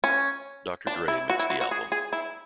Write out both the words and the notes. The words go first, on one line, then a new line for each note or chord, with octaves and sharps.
Doctor Dre mixed the album.
C#4
D4
E4
F#4
E4
F#4
F#4
G#4
G#4
E4